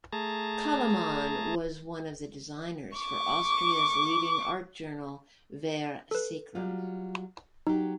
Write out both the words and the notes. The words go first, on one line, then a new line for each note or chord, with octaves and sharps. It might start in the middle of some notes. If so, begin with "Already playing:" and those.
Koloman was one of the designers for Austria's leading art journal "Ver Sacrum".
A3 G#4 A5 A#5
C#6 D6
A4 B4
F#3 G3 F4
F#3 D#4 G4